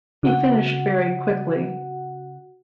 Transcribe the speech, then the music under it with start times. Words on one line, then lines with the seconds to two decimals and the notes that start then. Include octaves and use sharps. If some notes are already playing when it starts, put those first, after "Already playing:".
He finished very quickly.
0.23 C#3 F#4 F#5